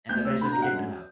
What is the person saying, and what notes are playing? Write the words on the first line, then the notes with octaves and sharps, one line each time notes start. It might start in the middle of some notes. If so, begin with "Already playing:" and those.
and eventually we kicked them out.
D2 G6
D2 E6
D3 B5
A#5
F#3
F#5
F#2